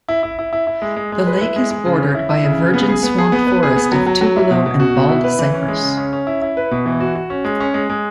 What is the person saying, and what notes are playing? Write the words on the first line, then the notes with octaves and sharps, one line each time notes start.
The lake is bordered by a virgin swamp forest of tupelo and bald cypress.
E4
E4
E4
E4
E4
G#3
G#3
G#3
B4
E4
G#3
G#3
C#3
C#4
E4
E4
C#3
C#3
B3
G#4
B3
G#4
B3
B4
G#4
B3
F#3
F#3
F#3
E4
B2
B2
F#4
B2
E4
B4
E3
C#4
G#3
C#3
C#4
C#4
E4
E4
B4
B2
E3
F#4
F#4
C#4
G#3
C#4
G#3
G#3